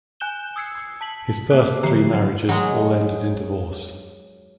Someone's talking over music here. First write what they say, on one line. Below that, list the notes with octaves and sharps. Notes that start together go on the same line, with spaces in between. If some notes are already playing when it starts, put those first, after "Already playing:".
His first three marriages all ended in divorce.
G#5 F#6 G6 E7 G7
D#6 E6 G#6 C7 C#7
A5 B6 F#7
A#3 D6 F#6
D3 F3 G4 A#5 C7
F#3
F#3 G#3